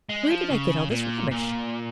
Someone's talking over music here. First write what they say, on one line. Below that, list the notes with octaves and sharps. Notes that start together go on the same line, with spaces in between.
Where did I get all this rubbish?
G#3
F3
C#3
A#2
A#2